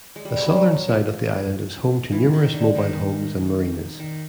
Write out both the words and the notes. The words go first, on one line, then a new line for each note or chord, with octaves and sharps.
The southern side of the island is home to numerous mobile homes and marinas.
G#3
G3
G#3
G3
F#3
F3
E3
D#3
D3
D#3
D#3